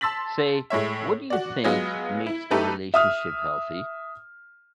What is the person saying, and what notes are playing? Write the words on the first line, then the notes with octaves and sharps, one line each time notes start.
Say, what do you think makes a relationship healthy?
A5 C6 E6 A6 B6 F#7
A2 G#3 C#5 E5
F#4 D5
F#3 G#3 B3 F4 D#5
E4
A3 D#4 G4 A4 B4 E5
E5 D#6 F6